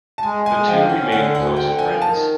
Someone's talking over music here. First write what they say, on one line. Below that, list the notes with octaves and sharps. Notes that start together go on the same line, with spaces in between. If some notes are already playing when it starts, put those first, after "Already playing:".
The two remain close friends.
A5
G#3 G#5
G#3 G#5
F3 G5
C#4 F#5
D3 F#5
D2 F#5
D3 G5
F3 G#5
D#3 A5